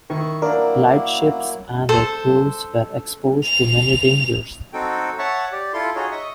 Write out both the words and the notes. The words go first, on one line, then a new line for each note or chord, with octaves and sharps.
Lightships and their crews were exposed to many dangers.
D#3 E4 C#6
F#3 A#3 D4 E4 A#4 D6
A4 C5
F7
C4 D#4 F#4 A4 G5
C#5 E5 F#5 A5 C#6
G4 D5
E4 F4 A4 C6
D#4 F4 F#4 G#4 C#5 D#5
D#5 E5 C#6 D#6